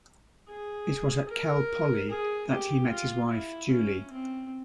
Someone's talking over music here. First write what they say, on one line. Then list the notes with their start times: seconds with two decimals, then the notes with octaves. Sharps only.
It was at Cal Poly that he met his wife, Julie.
0.49 G#4
1.29 A#4
2.10 G#4
2.51 G4
2.91 F4
3.31 E4
3.72 C#4
4.12 C4